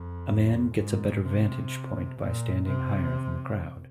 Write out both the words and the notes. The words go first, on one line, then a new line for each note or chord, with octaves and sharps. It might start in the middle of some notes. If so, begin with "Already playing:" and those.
A man gets a better vantage point by standing higher than the crowd.
Already playing: F2
G#2
C3
A#2
C3